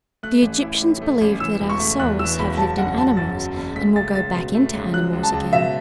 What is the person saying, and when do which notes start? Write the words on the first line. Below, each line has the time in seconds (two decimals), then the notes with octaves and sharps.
"The Egyptians believed that our souls have lived in animals, and will go back into animals again."
0.23 A3 F#6
0.42 A1
0.62 E4
0.81 A2
1.02 A3
1.21 A1
1.40 E3 E6
1.60 E1
1.70 C#6
1.79 A3
1.99 E2 F#6
2.19 E3 E6
2.39 E1 B5
2.58 F#3 A5
2.78 F#1 F#5
2.98 F#1 A5
3.17 F#2 A6
3.36 F#3
3.56 F#1
3.76 A3 B6
3.95 C#2 A6
4.15 C#2 A6
4.35 B2
4.55 A3
4.73 C#2
4.93 F#3 F#6
5.13 C#2
5.23 A5
5.32 C#2
5.53 B2 E5